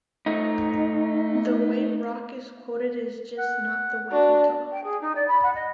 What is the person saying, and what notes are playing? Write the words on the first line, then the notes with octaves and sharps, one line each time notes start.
The way Rock is quoted is just not the way he talked.
A3 D#4
F#5
D4 F#4
G5
G#4
D#4
D5
B5
F#5
D#5